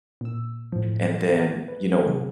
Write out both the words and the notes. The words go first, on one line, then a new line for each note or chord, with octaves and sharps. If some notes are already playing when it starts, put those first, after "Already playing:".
And then, you know,
A#2 E6
A2 F3
B4
C3 D#3 F#3 G#4